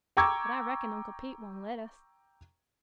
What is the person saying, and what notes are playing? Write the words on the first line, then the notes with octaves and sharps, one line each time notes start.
But I reckon Uncle Pete won' let us.
G5 A#5 C#6 D6 E6 G#6